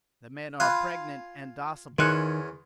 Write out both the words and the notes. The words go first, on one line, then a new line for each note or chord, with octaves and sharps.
The Men are pregnant and docible.
F4 F5 G#5 B5 C6 F#6
E2 D#3 C#4 C6 F#6 C#7